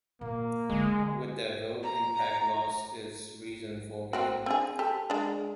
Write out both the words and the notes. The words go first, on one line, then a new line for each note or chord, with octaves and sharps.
With that vote, Impact lost its reason for being.
A#2 A#3
D3 G#3 E4
A#5
A#3 C4 F#4
C4 D4 G#4
G4 A4
G#3 D4